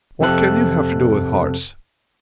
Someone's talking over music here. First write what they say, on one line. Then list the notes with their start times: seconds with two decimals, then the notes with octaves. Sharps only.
What can you have to do with hearts?
0.20 F2 C3 C4 A4 F#6